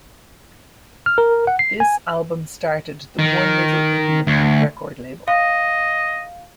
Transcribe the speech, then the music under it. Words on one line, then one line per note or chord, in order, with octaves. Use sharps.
This album started the One Little Indian record label.
F6
A#4
F#5
C7
G#5
D#3
D2
D#5 F5